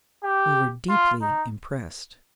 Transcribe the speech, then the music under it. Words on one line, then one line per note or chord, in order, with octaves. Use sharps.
We were deeply impressed.
G4
F4
D#4